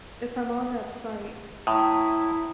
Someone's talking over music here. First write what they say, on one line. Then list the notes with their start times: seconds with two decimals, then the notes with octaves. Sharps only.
if I'm on that site,
1.67 A2 E4 A#5 D#6